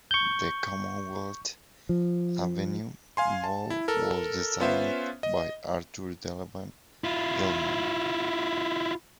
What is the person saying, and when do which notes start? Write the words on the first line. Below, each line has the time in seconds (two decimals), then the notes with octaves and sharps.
The Commonwealth Avenue Mall was designed by Arthur Delevan Gilman.
0.11 C#6 G6
1.89 F3
3.17 F5 G#5 C6
3.44 A5
3.70 E4
3.88 A4 A#4
4.60 B3 C#4 F4 B4 C5 E5
5.23 D#5
7.04 E4 F4